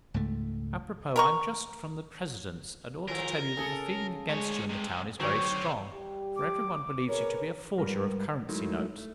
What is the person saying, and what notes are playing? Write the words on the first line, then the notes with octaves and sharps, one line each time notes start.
A propos, I am just from the President's, and ought to tell you that the feeling against you in the town is very strong, for every one believes you to be a forger of currency notes.
C#2 G#2 A3
A#4 A#5 C#6
D#3 F3 G#3 A#4
C#3 G#4 A4
D2 G#3 C#5
G2 C3
D3 F#3 C4 G4 C#5
G3 G4
D6
G#4 A#4 B4 C#5
G#2 G3 A#4 B4
F#3 G#3 A3 D#4 E4 A#4
A3